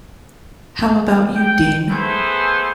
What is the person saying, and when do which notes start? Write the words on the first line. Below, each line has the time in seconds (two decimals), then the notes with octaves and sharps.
How about you, Dean?
1.34 G5
1.90 A3 B3 G#4 A4 B4 C5